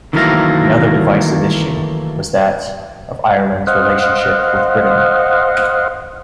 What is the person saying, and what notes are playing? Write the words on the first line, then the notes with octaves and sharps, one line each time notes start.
Another divisive issue was that of Ireland's relationship with Britain.
D#3 E3 F#3 A3 A#3 A#4
C5 D#5 F5 F#5